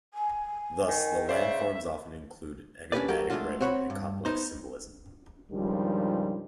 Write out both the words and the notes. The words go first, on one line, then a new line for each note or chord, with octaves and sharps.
Thus the landforms often include enigmatic writing and complex symbolism.
G#5
D#3
C#3 C5 D5 E5
C#4 D4 E4 G4 B4 D5
F#3 G4 A4 A#4
G#3 A3 C#4 D4 F4 F#4
C4 F#4 C#5 F#5 B5
G2
B3 D#4 C5
C#2 G2 D#3 F3 G3